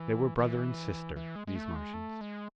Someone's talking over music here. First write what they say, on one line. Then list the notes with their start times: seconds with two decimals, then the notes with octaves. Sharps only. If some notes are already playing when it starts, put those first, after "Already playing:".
They were brother and sister, these Martians.
Already playing: E3
0.38 E3
1.16 E3
1.36 G#3
1.47 G#3
1.55 A3
1.75 G#3
1.94 A3
2.21 G#3